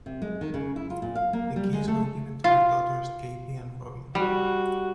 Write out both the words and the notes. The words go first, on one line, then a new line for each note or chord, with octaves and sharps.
The keys were given to his daughters, Cathy and Robin.
C3
G#3
D#3
C#3
E4
F4
A#2
F5
A#3
G3
G#3
A3
F4
G3 F#4